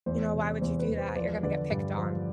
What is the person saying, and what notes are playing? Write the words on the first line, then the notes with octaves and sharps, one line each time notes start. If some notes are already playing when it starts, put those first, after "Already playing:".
"You know, why would you do that? You're gonna get picked on."
E2 C5
C3
E2 C5
B4
E2
C5
F3 B4 D5
D3 B4 D5
G2
F3